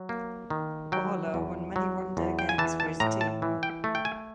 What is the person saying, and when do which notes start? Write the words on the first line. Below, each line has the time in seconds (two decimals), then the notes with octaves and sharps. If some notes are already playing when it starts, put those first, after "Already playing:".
Barlow won many one-day games for his team.
Already playing: F#3
0.09 A#3
0.50 D#3
0.92 F#3 G5
1.34 E2
1.76 F#3
2.17 E2
2.39 G5
2.49 G#5
2.58 E3 A5
2.80 A5
3.00 A2 A#5
3.21 A5
3.42 E3
3.63 G5
3.84 A3
3.95 G5
4.05 G#5